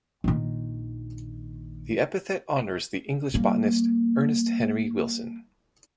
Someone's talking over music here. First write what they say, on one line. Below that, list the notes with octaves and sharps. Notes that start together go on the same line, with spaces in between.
The epithet honors the English botanist Ernest Henry Wilson.
A#1 D#3
G3 A#3